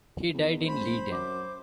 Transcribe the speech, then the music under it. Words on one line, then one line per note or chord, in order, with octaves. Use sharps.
He died in Leiden.
E2
F1 C5 B5
F#2 D6